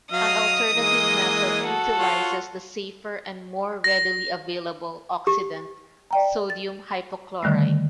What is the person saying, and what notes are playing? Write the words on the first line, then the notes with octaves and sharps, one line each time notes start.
An alternative method utilizes the safer and more readily available oxidant sodium hypochlorite.
F#3 D#5 F5 D#6 F6
E3 G#3 A#3
F#4 A4
F4 C#5
A#6
G4
D5 G5 A#5
A6
D3 D#3 G3 A3